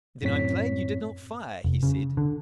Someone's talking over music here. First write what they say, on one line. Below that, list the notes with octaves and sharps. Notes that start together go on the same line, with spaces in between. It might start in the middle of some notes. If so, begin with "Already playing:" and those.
"Then I'm glad you did not fire!" he said.
F#2 A2 C4 C#5 B6
F1
C#3
D3